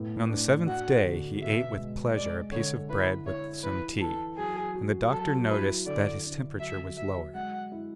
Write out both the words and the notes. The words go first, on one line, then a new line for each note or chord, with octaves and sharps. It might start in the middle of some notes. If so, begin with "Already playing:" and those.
But on the seventh day he ate with pleasure a piece of bread with some tea, and the doctor noticed that his temperature was lower.
Already playing: A2 B3
D4
F#4 F#5
D3
B2 E5
G#3
G#3 D5
D3 C#5
E4 B4
E4 C#5
E3 B4
E3 A4
F#3 G#4
F#4
F#3 A4
E4 B4
D3 D5
D3
F#3 E5
F#3 E5
G#3 F#5
E4